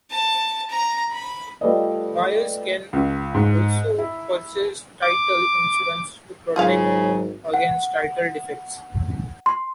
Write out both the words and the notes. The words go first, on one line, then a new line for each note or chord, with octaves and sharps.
Buyers can also purchase title insurance to protect against title defects.
A5
A#5
B5
G3 A3 F4 B4 D5 D#5
C#2
G#2
E4
D6
G#1 C#3 F#3 F4 G#4 F5
F#5
C6